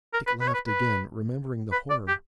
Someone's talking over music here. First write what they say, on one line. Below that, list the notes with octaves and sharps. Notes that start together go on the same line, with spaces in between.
Dick laughed again, remembering the horror.
A#4
B4
B4
C#5
B4
B4
B4
D5
G4